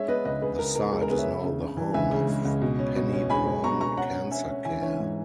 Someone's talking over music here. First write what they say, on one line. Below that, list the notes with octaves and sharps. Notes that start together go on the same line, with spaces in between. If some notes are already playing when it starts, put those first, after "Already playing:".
The site is now the home of Penny Brohn Cancer Care.
Already playing: G#3 C#5 E5
B3 B4 D#5
C#2 B4 D#5
C#3 G#4 B4
C#2 A#4
G#3 A#4
C#2 G#4
A#4
B3 G#4 B4
C#5 E5
C#3
C#3
C#3
E3
C#2 E5 G#5
C#3
G#3
C#2
B2
C#4
B2
C#4
G#3 G#5 B5
G#3
B2 A#5 C#6
B2 A#5 C#6
C#4 F#5 A#5
C#4
C#4 E5 G#5
C#4
E3 E5 G#5
E3 C#5 E5
G#2